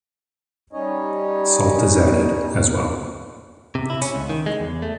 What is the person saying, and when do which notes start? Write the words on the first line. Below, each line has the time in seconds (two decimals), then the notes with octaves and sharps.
Salt is added, as well.
0.73 G3 C#4 D#4 C#5 D#5
3.75 C3
3.90 E4
4.02 C#4
4.15 C#2
4.30 D#3
4.46 G#3
4.60 E2
4.82 A3